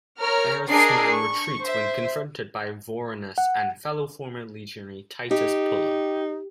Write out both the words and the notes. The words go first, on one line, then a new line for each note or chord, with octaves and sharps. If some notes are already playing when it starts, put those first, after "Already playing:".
Erastes' man retreats when confronted by Vorenus and fellow former legionary Titus Pullo.
A#4 C#5 A#5 F6
D4 G#4 A#4 D#5 C7
C#6
C5 E5
F#5
D#4 G4